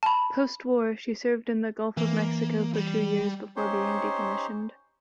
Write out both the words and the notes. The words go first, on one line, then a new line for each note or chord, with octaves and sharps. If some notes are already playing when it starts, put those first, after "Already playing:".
Post-war, she served in the Gulf of Mexico for two years before being decommissioned.
A5 B5
E3 A#3
G3
C#4 D#4 G4 C5 C#5 C6